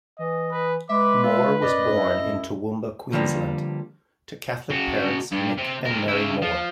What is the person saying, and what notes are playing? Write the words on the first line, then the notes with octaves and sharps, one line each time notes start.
Moore was born in Toowoomba, Queensland, to Catholic parents Mick and Mary Moore.
E3 D#5
B4
G#3 B4 E5 D6
F4 E5
F#2 D5 D#5
E4
D3 F3 G3 A3 A#3
C#3 F#4
G2
C3
C3 A#4
C#3 E4
F3